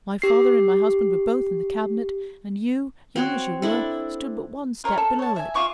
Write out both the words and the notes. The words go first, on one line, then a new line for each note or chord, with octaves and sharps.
My father and my husband were both in the Cabinet, and you, young as you were, stood but one step below it.
G4 C7
C4 F#4 C#5
D4 E4 A4
F4 A#4 C#5 C#6
A4
C#5 A5
E5 G#5
F4 E5 C#6 D6